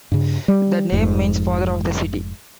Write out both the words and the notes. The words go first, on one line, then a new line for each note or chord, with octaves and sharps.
The name means "father of the city".
G2 C#3
G3
F1 F2 G#2